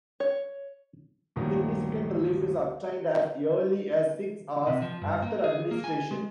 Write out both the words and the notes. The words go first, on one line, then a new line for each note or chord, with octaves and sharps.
Significant relief is obtained as early as six hours after administration.
C#5
D2 G2 A#2 D#3 F3 F#3
C3
F3
G2
A#3
G#4
A#3
G#5
G#3